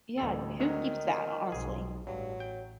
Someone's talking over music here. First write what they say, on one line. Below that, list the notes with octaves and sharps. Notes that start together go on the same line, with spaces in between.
Yeah, who keeps that, ho honestly?
A1 D2 G3 A4
D#3 F#3 G#3 C#5
B1 G#2 G#4
A1 G2 F#3
G5